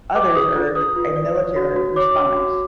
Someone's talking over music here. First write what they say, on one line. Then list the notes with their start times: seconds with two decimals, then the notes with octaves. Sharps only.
Others urge a military response.
0.15 B4 D6
0.35 G#4 D#6
0.55 F4
0.75 B4 D#6
0.96 F4
1.16 D5
1.36 C#5
1.56 F#4
1.76 F#4
1.96 C#5 D6
2.16 F#4
2.37 F#4